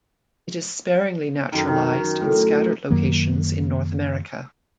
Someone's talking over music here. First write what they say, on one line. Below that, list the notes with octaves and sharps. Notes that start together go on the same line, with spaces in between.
It is sparingly naturalised in scattered locations in North America.
F#2 D#3
D#3
A2
F#2 D#3 F#3 A#3